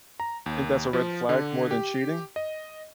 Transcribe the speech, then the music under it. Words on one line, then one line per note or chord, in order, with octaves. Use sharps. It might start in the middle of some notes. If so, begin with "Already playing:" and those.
Think that's a red flag more than cheating?
A#5
D#2
F3
D3
G4
D#5